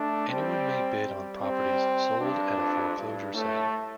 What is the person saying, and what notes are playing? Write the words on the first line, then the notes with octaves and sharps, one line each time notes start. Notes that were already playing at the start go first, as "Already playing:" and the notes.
Anyone may bid on properties sold at a foreclosure sale.
Already playing: A3 D4
G3 C4
G3
C4
G2 D4
F2
G2
A2 A3